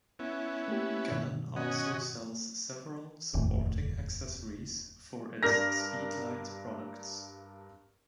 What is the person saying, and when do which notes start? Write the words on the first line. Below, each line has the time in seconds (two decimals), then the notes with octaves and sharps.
Canon also sells several supporting accessories for its Speedlite products.
0.19 B3 C#4 E4
0.68 A3 A#3 G4
1.11 G2 B2 D#3
1.56 C#4 F#4 D#5
3.35 F1 D#2 A2
5.43 G2 D4 A#4 F6 A#6